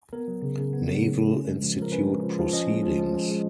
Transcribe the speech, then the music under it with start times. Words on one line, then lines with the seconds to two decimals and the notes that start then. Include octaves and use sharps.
Naval Institute "Proceedings".
0.13 B3 A#4
0.28 F#3
0.42 C#3
0.58 C#3
0.73 B3
0.87 F#3
1.02 C#3
1.18 C#3
1.33 C#4
1.48 G#3
1.62 F3
1.78 F3 A#4
1.92 C#4 B4
2.07 G#3
2.23 F3
2.38 F3
2.53 C#4 D#5
2.68 G#3
2.83 F3
2.98 F3
3.13 C#4
3.28 G#3